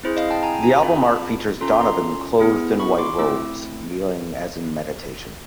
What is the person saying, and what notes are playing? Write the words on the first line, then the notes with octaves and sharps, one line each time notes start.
The album art features Donovan clothed in white robes, kneeling as in meditation.
C4 E4 G#4 C5
D#5 F5
G5 A5
G#5 A#5
G#5 A#5
C4 F4 G#4 B5
A#5
A5 B5
C#4 F4 A4 A#5 C6
A#5 C6
B3 E4 G#4
B5 C#6
C6 D6
A3 C4 E4 D6 E6